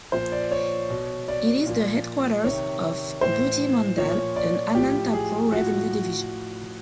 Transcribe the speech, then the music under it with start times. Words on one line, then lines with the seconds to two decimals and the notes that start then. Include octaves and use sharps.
It is the headquarters of Gooty mandal in Anantapur revenue division.
0.12 A#2 F3 C5
0.32 D5
0.51 C#5
0.90 B2
1.28 D5
1.66 A#2 F3
2.44 C3 D#3 C#5
3.21 A2 E3 C5
3.98 A#2 F3 C#5
4.36 D5
4.75 A2 F3 G4
5.13 G#4
5.52 A2 F3 F#4